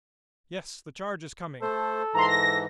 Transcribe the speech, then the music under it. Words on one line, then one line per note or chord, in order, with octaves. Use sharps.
Yes, the charge is coming.
A3 A4 C5
G#2 E3 A#5 C6
A#6